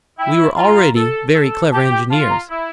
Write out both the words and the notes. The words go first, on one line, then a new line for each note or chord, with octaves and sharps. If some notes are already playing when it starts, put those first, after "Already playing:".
We were already very clever engineers.
E4 G5
F4 A#5
A4
A4
G4 A5
G5
F4 A5
A#5
E4